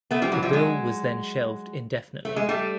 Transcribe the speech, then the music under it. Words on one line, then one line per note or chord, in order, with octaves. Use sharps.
The bill was then shelved indefinitely.
A3 B3
F3 G3
E3 F#3
F3 G3
F#3 G#3
A3
G#3
G3 A3